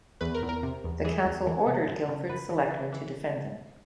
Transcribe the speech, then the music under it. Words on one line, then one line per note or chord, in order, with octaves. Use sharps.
The Council ordered Guilford's selectmen to defend them.
E2 B4
A#4
E2
A#4
C3
E2
E3 G#4
E2
E3
C3
F#2
C#3
F#2 B4
E3
E3
E3